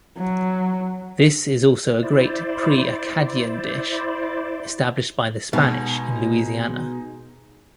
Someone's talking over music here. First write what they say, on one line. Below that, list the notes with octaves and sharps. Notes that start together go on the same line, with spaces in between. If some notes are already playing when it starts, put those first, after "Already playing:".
This is also a great pre-Acadian dish, established by the Spanish in Louisiana.
F#3
E4 C5 D5
B2 G#3 D#4 G#5